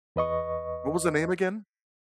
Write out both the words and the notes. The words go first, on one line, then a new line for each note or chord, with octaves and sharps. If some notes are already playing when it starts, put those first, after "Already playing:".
What was the name again?
E2 B4 D#5 C#6